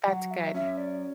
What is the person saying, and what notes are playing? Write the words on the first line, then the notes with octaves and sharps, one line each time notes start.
That's good.
F#3 F#5
E5
C#4 E5
D5